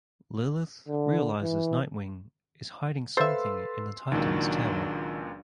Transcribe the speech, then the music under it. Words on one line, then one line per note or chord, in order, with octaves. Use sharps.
Lilith realizes Nightwing is hiding something in the Titans tower.
D3
E3
A4 B4 C5 E5 F5 C6 E6 A6
C#2 A#2 D#3 F#3 D4